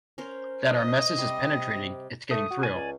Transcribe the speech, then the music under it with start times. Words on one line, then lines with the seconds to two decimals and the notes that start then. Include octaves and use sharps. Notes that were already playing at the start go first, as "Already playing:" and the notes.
That our message is penetrating, it's getting through.
0.18 C#4 A#4 C5
0.70 D#5
1.17 C3 G3 C6
2.31 A3 D#6
2.50 F#4
2.63 D5 G#5
2.75 C#2